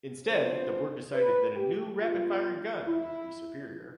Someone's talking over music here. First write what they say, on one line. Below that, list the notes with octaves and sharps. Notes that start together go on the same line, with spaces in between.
Instead, the board decided that a new rapid-firing gun would be superior.
F2 D3 F3 B3 D4 C5
B4
G4
B2 G3 B3 D4 F4
E4